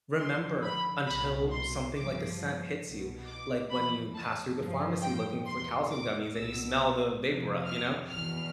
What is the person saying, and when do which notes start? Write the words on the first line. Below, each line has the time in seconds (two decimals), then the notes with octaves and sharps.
remember until something like a scent hits you, like, when you pass through the pharmacy looking for calcium gummies and you smell the vapor rub, you know?
0.19 F2 D3 F3 C6
0.63 B5
1.07 C2 B2 B5
1.51 C6
1.95 G2 F3 D6
2.83 C2 B2
3.27 D6
3.71 F2 E3 B5
4.15 A5
4.58 G2 F3
5.02 G5
5.46 E2 B2 C6
5.90 D6
6.34 C2 B2 E6
7.22 F2 C3 F3
7.66 F6
8.09 E2 B2 F6